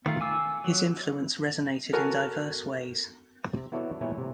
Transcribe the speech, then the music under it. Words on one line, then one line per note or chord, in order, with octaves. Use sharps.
His influence resonated in diverse ways.
D#3 A3 F4
G#5 D6 E6
F#3
F#4 A4 A#4 G#5
C3
B3 E4 F#4 A4 C#5 D5
A#2 G3 B3 E4 C#5 G#5
C3